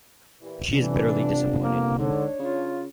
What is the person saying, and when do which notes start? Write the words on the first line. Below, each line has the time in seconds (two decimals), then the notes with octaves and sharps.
She is bitterly disappointed.
0.41 A#2 E3 G4
0.73 G1 C3 E3 D4
1.62 A#3
1.98 G#2 D3 D4 C#5
2.39 C#3 F4